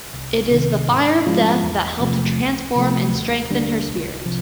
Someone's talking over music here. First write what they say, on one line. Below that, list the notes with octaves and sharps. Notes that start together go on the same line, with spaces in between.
It is the fire of death that helped to transform and strengthen her spirit.
C2
C3 D#3
G#2
F3 G#3 C#4 F4
E2
C3 F3 A3
C#2
C3 F3 A3
D#2
D3 G3 A#3 D4
C2
C3 F3